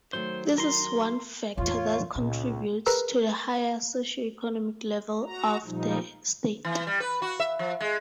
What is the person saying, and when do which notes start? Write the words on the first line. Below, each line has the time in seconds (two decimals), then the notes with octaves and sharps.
This is one factor that contributes to the higher socioeconomic level of the state.
0.13 D#3 F#3 A3 C5
0.58 A#4 C6
1.58 E2 A2 F4 C#5
2.15 C#2 A#2
2.86 G#4 A#4 B4 A#5 E6
5.25 F#4 A#5
5.65 A#2 F3 G3 D#4
6.65 E3
6.87 G3
7.00 B4
7.22 F#4
7.40 E5
7.59 F3
7.81 G#3